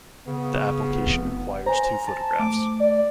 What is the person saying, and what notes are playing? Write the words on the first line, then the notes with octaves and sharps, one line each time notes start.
The application requires two photographs.
C#3 B3
F1
C5 G#5 A#5
A5
A3 D6
D5